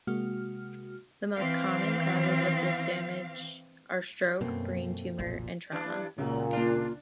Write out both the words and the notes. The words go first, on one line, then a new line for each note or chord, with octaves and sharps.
The most common causes of this damage are stroke, brain tumor, and trauma.
C3 G#3 A#3 F#4 F6
E3 C4 F5
F#2 B2 A3 A#3 C4
F#1 B1 A#2 F3
G2 E3 D4
C#2 A#2 C#3 F#3
A#3 D4 F4